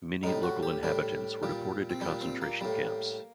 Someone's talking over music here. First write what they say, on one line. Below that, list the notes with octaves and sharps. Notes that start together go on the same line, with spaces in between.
Many local inhabitants were deported to concentration camps.
A2 G3 D#4
F#4
G4
A2 G3 D4
A#2 G3
C4
A#2 G3 D4
C4
A#3
A2 G3